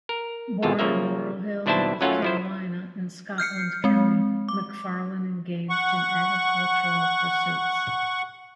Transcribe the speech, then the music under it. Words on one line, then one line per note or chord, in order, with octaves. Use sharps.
Born in Laurel Hill, North Carolina in Scotland County, McFarlan engaged in agricultural pursuits.
A#4
G#1 E2 B2 F4 A4
C#3 F3 A#3 E5
D#2 B2 D4 E4 C5 A5
F#2 F#3 A3 C#4 F4 F#5
F3 E4 C5
F6 G6 C7 C#7
G#3 C4
D6
F#5 C#6